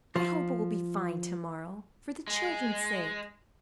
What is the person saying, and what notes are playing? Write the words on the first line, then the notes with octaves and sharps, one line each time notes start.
I hope it will be fine tomorrow, for the children's sake.
F3
G#3